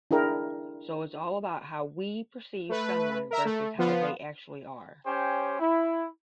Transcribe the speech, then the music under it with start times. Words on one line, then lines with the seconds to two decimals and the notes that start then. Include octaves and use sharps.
So it’s all about how we perceive someone versus how they actually are.
0.11 D4 E4 G#4 A#4 G5
2.69 A3 B4
3.31 A#4 E5 A#5
3.45 A3
3.78 F3 B3 F4
5.06 C#4 G4 C5 C#5 G5 G#5
5.60 E4